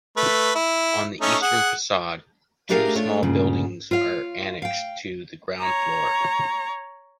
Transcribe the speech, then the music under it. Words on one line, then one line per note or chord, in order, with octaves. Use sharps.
On the eastern façade, two small buildings are annexed to the ground floor.
A3 B4
E4
A3 C#4 D#4
G#4 F#5
A3 D4 G4 G#4 A#4 F5
A3 D4 F4 C#5
D2 G2 A#2 C#3
F4 C#5 F5
F5 G5
C#5 A#5